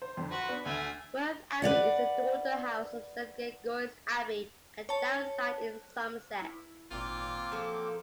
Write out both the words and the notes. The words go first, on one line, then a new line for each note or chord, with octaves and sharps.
Worth Abbey is a daughter house of Saint Gregory's Abbey, at Downside, in Somerset.
C5
F2 D3
F#4 B4 C6
B3 D4
D2 A3 G#5
B4 C#5 D5 F#5
C#5 A5
E4
G#1 A#2 A#3 C4 F4 D6
F3 F#3 A4